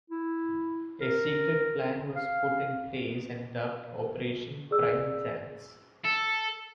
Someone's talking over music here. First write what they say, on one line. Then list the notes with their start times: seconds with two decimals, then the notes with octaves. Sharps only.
A secret plan was put in place and dubbed Operation Prime Chance.
0.10 E4
1.01 A#4
2.16 F5
4.71 G#4 D5 E6
6.04 A4